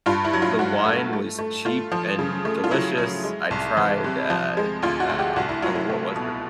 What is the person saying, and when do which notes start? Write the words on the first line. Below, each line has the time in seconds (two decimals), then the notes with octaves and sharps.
the wine was cheap and delicious. I tried, uh, uh, oh, what was it?
0.06 G2 F4
0.25 E4
0.33 F#3
0.42 F4
0.59 G2 F#4
0.86 A3
1.13 A3
1.39 A3
1.65 A3 F4
1.92 F3
2.19 C#3
2.45 A3
2.64 F4
2.71 F#3 E4
2.98 F#3
3.24 G#3
3.51 C2
3.77 E3
4.04 C3
4.30 F3
4.57 G#3
4.82 D2 F4
5.00 F#4
5.09 D2
5.19 G4
5.36 C2 F#4
5.49 E4
5.62 F#3 F4
5.75 E4
5.90 A3
6.16 B2